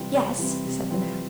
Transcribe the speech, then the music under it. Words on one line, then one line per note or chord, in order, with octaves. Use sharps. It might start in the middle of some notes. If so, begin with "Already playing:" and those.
"Yes," said the man.
Already playing: C3 E3 G3 C4
C3
E3 G3 C4
C3
E3 G3 C4